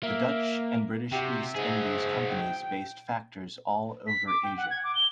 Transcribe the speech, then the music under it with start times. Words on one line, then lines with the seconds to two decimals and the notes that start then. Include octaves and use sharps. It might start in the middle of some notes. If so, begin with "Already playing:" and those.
The Dutch and British East Indies companies based factors all over Asia.
0.03 A#3 E5
1.12 C3 F#4 G4 E5 G5
1.55 G#2 F#3 G#4
2.28 G5
4.07 B6
4.27 D6
4.43 G5
4.57 F#5
4.70 G#6
4.84 D6
4.95 G7